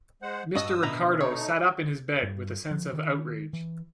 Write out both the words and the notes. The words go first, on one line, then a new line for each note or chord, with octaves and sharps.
Mr. Ricardo sat up in his bed with a sense of outrage.
G#3 C5 F#5
G2 F#4 D#5 D#6 E6
B2 D3 E3 A#5 B5
A3 D#4 C#5
G2
F3
D#3
E3